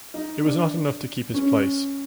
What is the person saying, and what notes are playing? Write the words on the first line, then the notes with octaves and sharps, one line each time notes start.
It was not enough to keep his place.
D#4
D4
C#4